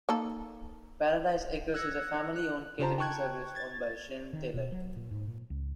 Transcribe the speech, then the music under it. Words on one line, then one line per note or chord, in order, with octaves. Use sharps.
Paradise Acres is a family owned catering service owned by Shane Taylor.
A#3 D#4 A4
E6 F#6 G#6 A#6 C#7
F#6
C#3 F4 G4 C5 A5 A#5
G5 A5 C#6 F#6 G#6
G#6 A6
D#3
B2
F#3
A#2
G#2
A#2
C#2